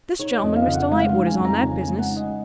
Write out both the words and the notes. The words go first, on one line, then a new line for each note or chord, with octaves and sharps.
'This gentleman, Mr Lightwood, is on that business.'
D#4 C#5
D#5
F2
F5
C#3
F#5
G#3 F5
F5
D#4
G#5
F2
A#5
C#3 G#5
G#5
G#3
F#5
D#4
D#5